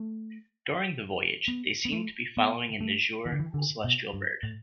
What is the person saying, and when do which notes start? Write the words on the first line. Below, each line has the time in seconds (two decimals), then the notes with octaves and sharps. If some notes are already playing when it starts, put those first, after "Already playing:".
During the voyage, they seem to be following an azure celestial bird.
Already playing: A3
1.48 B3
1.85 B3
1.92 A3
2.37 B3
2.81 A3
3.26 E3
3.32 D3
3.40 E3
3.54 D3
3.84 B2
4.13 G2
4.43 A2